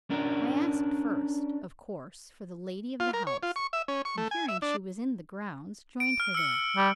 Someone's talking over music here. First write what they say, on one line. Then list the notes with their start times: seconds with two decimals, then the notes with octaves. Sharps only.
I asked first, of course, for the lady of the house, and hearing she was in the grounds, joined her there.
0.10 C#4 D4 A#4
3.00 F4
3.13 A#4
3.27 C#5
3.43 F4
3.56 C#6
3.73 E5
3.88 C#4
4.05 C#6
4.18 A3
4.31 G#5
4.48 E5
4.62 D4
6.00 D7
6.20 F6
6.34 E6 C#7
6.77 G3